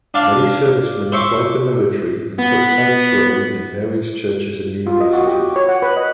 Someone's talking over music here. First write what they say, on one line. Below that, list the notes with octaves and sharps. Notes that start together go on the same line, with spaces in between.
Many servicemen fled the military and took sanctuary in various churches and universities.
D4 F5
C5 E5 C#6 D6
B3
F4
D#5
F#4
G4
C#5
F#5
B4
D#5